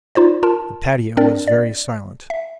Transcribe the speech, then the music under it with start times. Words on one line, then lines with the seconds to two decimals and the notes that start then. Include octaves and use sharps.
The patio was very silent.
0.15 D#4 F4 C5 D5
0.43 F4 A#4 A5
1.17 C4 D4 A#4 D5
1.47 D5
2.30 E5